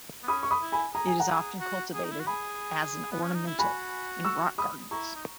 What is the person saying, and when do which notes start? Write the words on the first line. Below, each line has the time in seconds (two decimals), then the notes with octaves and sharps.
It is often cultivated as an ornamental in rock gardens.
0.23 B3
0.28 C#4 B5 D#6
0.43 C#6
0.51 B5 D#6
0.62 E4
0.72 G#5 B5
0.94 G#4 A#5
1.07 G#5
1.20 F#5 A#5
1.28 G#4
1.60 F#4
1.94 G#4
2.04 D#4
2.11 E4
2.20 F#4
2.27 G#4 G#5 B5
3.11 B3
3.23 C#4
3.35 D#4
3.47 E4
3.59 F#4 G#5 B5
4.25 C#6 E6
4.58 B5 D#6
4.91 E4 A#5 C#6
5.15 D#4